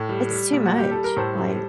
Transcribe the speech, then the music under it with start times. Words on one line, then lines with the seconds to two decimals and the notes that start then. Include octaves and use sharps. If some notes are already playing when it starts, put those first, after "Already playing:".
it's too much, like,
Already playing: A2
0.09 G3
0.31 G3
0.53 A#2
0.65 F#4
0.73 G3 G4
0.91 G3 A4
1.04 A#4
1.17 A2 A4 C5
1.38 G3